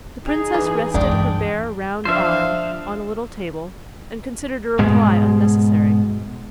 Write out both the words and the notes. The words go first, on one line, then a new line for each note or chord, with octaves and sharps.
The princess rested her bare round arm on a little table and considered a reply unnecessary.
D#4 G#4
E3
G2 E3 G#3 D4 G5
F3 D4 C5 E5 F5
G#2 B2 G#3